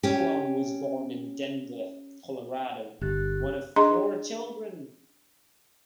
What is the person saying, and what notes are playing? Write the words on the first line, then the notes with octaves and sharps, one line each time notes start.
Tolan was born in Denver, Colorado, one of four children.
C#4 G4
G1 G4 F#6 A6
D4 G#4 D#5 A#5 C6